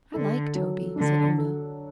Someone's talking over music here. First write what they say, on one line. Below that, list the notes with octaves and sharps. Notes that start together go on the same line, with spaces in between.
'I like Toby,' said Una.
D3 A4
F#3
D3 D4
A4